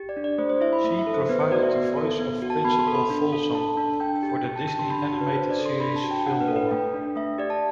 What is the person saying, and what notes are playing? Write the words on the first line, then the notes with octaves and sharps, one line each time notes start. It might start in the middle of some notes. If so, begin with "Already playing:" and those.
She provided the voice of Principal Folsom for the Disney animated series Fillmore!
Already playing: G4
D5
D4
D5
A3 C5
C5
E4 E5
B5
A3 E5
E5
A4
C5
B3 B4
C5
F#4 D5
E5
B3
A4
B3
F#4
A5
B3 B5
C6
A4
B5
D4
A4
A4 A5
D4
D4 G5
G5
G4
G5
G4
A5
D4
C6
D4 B5
A5
F#4
B4
D4 C5
D5
A4
C6
D4 B5
A5
F#4
G5
D4 F#5
B4
A4
B4
A3 G5
D4
A3 E5
G4 D5
A5